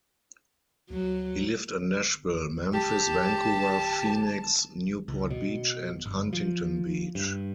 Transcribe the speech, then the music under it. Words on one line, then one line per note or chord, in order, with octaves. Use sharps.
He lived in Nashville, Memphis, Vancouver, Phoenix, Newport Beach and Huntington Beach.
D2 F#3
G4 A5
C#2
B2
G1
F3
G2